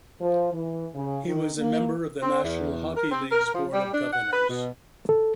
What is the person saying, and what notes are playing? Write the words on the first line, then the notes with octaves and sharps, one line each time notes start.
He was a member of the National Hockey League's Board of Governors.
F3
E3
C#3
D#3
A#3
C4
E2
A#4
C4
A#4
F3
G3
D4
F#5
B4
B2
A4